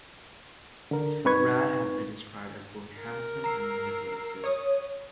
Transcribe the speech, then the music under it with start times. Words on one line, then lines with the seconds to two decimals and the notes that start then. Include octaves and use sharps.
Brad has been described as both handsome and manipulative.
0.91 D3 A#4
1.25 G2 C4 D#4 B4 C#6 G#6
2.99 A#4
3.44 A#5 E6 C7
4.44 C#5 D#6